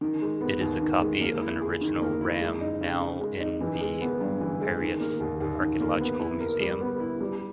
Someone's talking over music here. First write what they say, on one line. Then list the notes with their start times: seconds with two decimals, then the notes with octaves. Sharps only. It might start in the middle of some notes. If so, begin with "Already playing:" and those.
It is a copy of an original ram now in the Piraeus archaeological museum.
0.01 D#3
0.21 G#3
0.41 B3
0.61 D#2
0.82 D#3
1.01 G#3
1.21 A#3
1.41 E4
1.61 G#4
1.81 D#3
2.01 A#3
2.21 E4
2.41 G#3
2.61 D#4
2.81 C#3
3.01 C#3
3.21 G#3
3.40 D#4
3.61 E3
3.81 G#3
4.01 B3
4.21 G2
4.40 E3
4.61 G#3
4.80 D#3
5.00 A#3
5.20 D#2
5.40 D#2
5.60 D#3
5.80 A#3
6.00 B3
6.20 E4
6.40 A#4
6.60 G3
6.80 B3
7.00 E4
7.20 G3